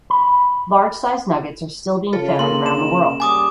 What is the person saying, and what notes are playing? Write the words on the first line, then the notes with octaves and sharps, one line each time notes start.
Large size nuggets are still being found around the world.
B5
C#3 F4 A4 C#5
A#3 A#4 C6
E7
G3 G#5 D6 D#6